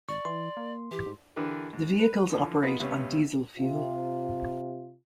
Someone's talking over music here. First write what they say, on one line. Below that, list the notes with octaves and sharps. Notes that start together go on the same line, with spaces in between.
The vehicles operate on diesel fuel.
G#1 D5 C#6
E3 C6
A#3
E3 G4
G#2
D3 E3 D4 G4 A#4 B4
G#2
B4
D3 E3 F3
B3 D#4 F4 G#4 B4 F#5
C#2 C3 B3 C#4 C#6
C3 F4